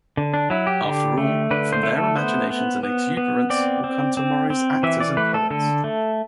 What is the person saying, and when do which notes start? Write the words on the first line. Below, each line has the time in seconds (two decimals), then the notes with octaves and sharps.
After all, from their imaginations and exuberance will come tomorrow's actors and poets.
0.17 D3
0.34 D4
0.50 F#3 E4
0.67 G4
0.84 D3
1.18 A3
1.51 D3 B4
1.73 C5
1.83 A3
1.94 A4
2.17 B3 C5
2.50 B3
2.83 B3
3.17 B3
3.50 C4 D5
3.84 C4
4.17 C4
4.50 C4
4.83 E3 E5
5.00 D5
5.17 A3 B4
5.34 A4
5.50 D3 A4
5.84 A3